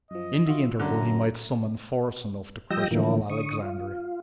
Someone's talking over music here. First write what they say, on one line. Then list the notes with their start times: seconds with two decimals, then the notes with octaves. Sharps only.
In the interval he might summon force enough to crush all Alexandria.
0.11 F#2 F3 D#5
0.46 F4 F#4 E5
0.80 F#2 D3 A#5
2.70 F3 G3 D#5 G5 E6 A#6
2.91 A2 D3 E3 F3 A#3
3.30 D3 C#6 D#6
3.62 F4